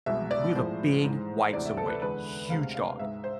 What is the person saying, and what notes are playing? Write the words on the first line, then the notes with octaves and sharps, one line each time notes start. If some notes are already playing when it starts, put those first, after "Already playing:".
W we have a big white Samoyed, huge dog,
C2 B2 G#3 E5
D5
A2 F3 G#3 C5
G#2 E3 G#3
D2 C3 E3 G#3 D5
E5
A4
B4
E2 D3 G#3 B4
D2 C3 G#3 F5
F5
G#2 G#3 E5
C5